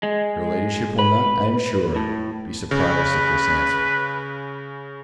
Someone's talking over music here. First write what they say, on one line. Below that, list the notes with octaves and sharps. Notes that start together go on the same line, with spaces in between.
Your Ladyship will not, I am sure, be surprised at this answer.
G#3
B4
A2
C#3 B4